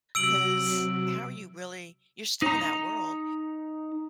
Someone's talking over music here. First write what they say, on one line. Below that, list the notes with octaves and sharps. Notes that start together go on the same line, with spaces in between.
'cause how are you really you're still in that world
C3 F#3 E6 D7 F#7
D#4 A#5